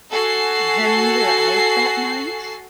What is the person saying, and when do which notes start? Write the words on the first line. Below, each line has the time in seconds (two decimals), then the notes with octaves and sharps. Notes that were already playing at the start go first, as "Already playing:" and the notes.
Then you were out that night?
0.11 F#4 A4 G#5 C7